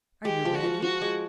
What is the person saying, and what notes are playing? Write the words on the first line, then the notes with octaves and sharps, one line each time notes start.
"Are you ready?"
G#3 G4
F3
F#4
F3
F3 F#4
G#3